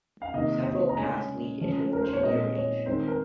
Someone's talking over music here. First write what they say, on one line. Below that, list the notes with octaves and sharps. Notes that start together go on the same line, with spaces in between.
Several paths lead into the Virginia Range.
F5
C3 D#3 A#3 D#5
D#5
A#5
C#3 G#3 C#4 G#5
C#3 F3 G#3 C#4
A#4
C5
C#5
A#2 G#3 C4 D#5
C#5
D#3 G#3 C4 C5
A#4